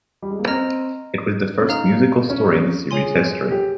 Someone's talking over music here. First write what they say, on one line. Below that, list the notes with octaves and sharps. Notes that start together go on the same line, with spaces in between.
It is the first musical story in the series' history.
G3
G#3
A#3
C4 D#5 A#5 F6
C#4
D#4 F5 A#5 F6
C#4
G#4 C#5 G#5 C6
G4